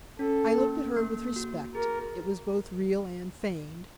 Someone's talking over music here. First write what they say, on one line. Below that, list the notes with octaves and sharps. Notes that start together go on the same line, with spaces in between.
I looked at her with respect; it was both real and feigned.
C#4 A4
A#3
A#3
F#4
G#4 A#4